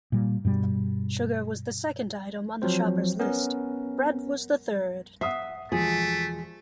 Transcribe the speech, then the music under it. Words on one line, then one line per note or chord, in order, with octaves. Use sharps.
Sugar was the second item on the shopper’s list; bread was the third.
A#2 G3
G2 B2 G3
F3 F#3 C4 C5
B3 C#4 A#4
E5 F#5 D#6 C7
E1 F3 A3 G#4